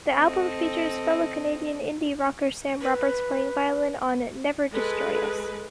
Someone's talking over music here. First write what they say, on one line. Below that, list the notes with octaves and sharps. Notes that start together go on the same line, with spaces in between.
The album features fellow Canadian indie-rocker Sam Roberts playing violin on "Never Destroy Us".
C4 A4 D#5
B4
G#3 A4 B4